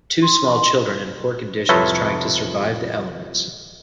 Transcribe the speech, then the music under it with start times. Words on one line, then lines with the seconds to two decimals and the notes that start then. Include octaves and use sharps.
Two small children in poor conditions trying to survive the elements.
0.22 C6
1.69 C2 F2 A4 B4 C#5 E5